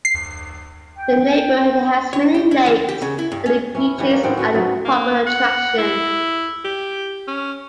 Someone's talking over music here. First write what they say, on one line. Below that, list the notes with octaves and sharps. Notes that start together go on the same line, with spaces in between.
The neighborhood has many lakes and the beaches are a popular attraction.
C7
G5
C#5
G4
E4
E2
G4
C#3
E4
G2
C#4
C#4 E4
E3 G3 B4 C#5
A#3
A2 D#3 C4 F#5
C#4 F#4 B4 C#5
F#3 D#4
A#3
F#5
E4
G4
C#4